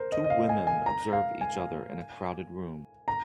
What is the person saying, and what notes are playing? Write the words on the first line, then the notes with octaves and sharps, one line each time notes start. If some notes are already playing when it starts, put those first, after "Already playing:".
Two women observe each other in a crowded room.
Already playing: A#4 C5
D#5
D#5
F5
G#5
G#5
A#5
F5
G#5
A#5